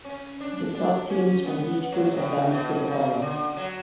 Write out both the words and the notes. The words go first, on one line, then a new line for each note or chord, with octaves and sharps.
The top teams from each group advanced to the final.
C#4
D4
D4
C#4
B3
F#3
F#3
A2
B2
C#3
D3
F#3